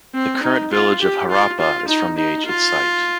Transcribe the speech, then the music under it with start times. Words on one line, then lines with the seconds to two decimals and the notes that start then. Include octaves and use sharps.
The current village of Harappa is from the ancient site.
0.15 C4
0.43 D#4
0.72 F4
1.02 G4
1.31 F4
1.60 F4
1.88 D#4
2.17 D#4
2.47 F4